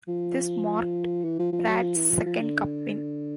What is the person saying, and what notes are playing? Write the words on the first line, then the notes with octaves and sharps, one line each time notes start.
This marked Pratt's second Cup win.
F3
E3
F3
F3
F#3
F3
E3
F3
F3
D3